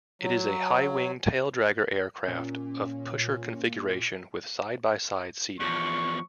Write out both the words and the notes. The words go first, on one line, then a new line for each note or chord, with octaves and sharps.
It is a high-wing taildragger aircraft of pusher configuration with side-by-side seating.
F#3
A#2 C#4
E2 F3 C#6